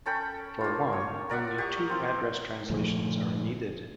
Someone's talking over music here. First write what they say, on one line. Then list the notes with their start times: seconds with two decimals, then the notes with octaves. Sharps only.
For one, only two address translations are needed.
0.06 C#4 A4 G5 B5
0.61 A#3 F4
0.93 C#5
1.30 A#4 D5 E5 F#5
1.58 G4 C#6 D#6
1.89 C4 F4
2.70 A#2 D3 F3 A3